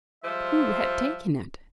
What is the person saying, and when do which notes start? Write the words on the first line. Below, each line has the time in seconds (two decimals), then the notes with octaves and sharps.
Who had taken it?
0.24 F3 G3 G#3 C5 E5